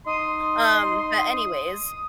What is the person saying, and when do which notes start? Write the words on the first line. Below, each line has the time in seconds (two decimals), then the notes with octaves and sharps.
um, but, anyways
0.07 D#4 C6 D#6